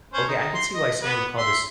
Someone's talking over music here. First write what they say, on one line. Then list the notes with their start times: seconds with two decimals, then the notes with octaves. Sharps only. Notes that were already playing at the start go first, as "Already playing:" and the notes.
"Okay, I could see why someone would call this
0.14 C#4 C5
0.28 D#4
0.54 C6
0.74 D#5
1.03 B3 B4
1.37 E5 C6